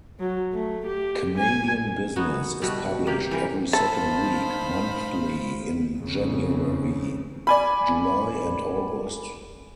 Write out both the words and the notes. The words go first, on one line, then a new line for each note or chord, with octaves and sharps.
"Canadian Business" is published every second week, monthly in January, July and August.
F#3
A3
G4
G#5
B3 D#4 F#4
B2 G3 A3 F#4
C3 A#3 G4
E3 A#4
D#4 A4 C5 F5 A5 B5
F2 C#3
D5 G#5 B5